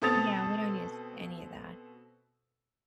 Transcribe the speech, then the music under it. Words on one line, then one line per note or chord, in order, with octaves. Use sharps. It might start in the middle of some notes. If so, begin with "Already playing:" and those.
Yeah, we don't use any of that.
B2 C4 A4 D#6 A6 F7